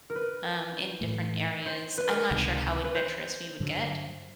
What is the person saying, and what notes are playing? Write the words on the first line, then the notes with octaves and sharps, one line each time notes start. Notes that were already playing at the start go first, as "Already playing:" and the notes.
um, in different areas. I'm not sure how adventurous we would get
A#4
B4
A2 E3 A3
C5
B4
A#4
B4
C#2 C3 D#3 G#3
B4
C5
G2 D3 F#3